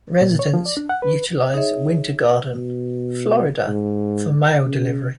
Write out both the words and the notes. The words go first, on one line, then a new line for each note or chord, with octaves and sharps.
Residents utilize Winter Garden, Florida for mail delivery.
A#2
C#5
F3
D5
D4
F#5
B4
D#4 G#4 C#5 D#5 E5
B2
G#2
C#3